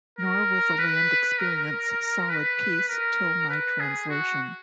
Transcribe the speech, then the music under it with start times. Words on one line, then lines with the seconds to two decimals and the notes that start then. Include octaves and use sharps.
Nor will the land experience solid peace till my translation.
0.19 A#4
0.79 B4
1.39 A#4
2.29 B4
2.89 A#4
3.49 B4
3.80 G#4
4.09 F#4